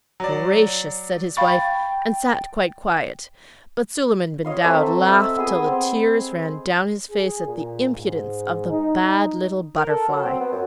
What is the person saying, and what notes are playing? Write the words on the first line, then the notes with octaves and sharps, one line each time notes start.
'Gracious!' said his wife, and sat quite quiet; but Suleiman-bin-Daoud laughed till the tears ran down his face at the impudence of the bad little Butterfly.
F#3 D5
F5 G5 B5 C#6 A6
C#5 D#5 F5 C6
A3 C4 E5 A#5
D#5 E5 E6
B3 G#4 D#6
C4
G#4
A#2
G#2
D#4
A#4
A4
F#3
C4
B3
F#2